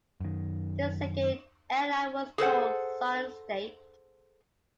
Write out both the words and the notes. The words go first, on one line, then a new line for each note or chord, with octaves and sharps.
This second airline was called Sunstate.
F#2 D#3
G#4 A4 C5 F#5